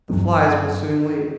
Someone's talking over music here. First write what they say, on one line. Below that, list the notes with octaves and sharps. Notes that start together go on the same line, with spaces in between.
The flies will soon leave.
G2 F#3 B3